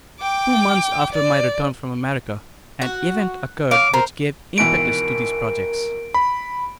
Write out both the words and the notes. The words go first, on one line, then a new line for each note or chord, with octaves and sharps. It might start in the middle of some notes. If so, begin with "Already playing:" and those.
Two months after my return from America, an event occurred which gave impetus to these projects.
G5 D6
D5
F#4
C#5 F5 D6
A#4 C5
G#1 B2 E3 A#4 D7
B5